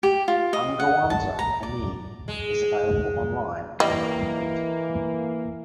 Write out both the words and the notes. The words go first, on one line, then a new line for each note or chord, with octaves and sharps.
"Angewandte Chemie" is available online and in print.
G4
F4
D#5
F#5
A5
A#5
D5
G#3
E3 G3 A#3 D#5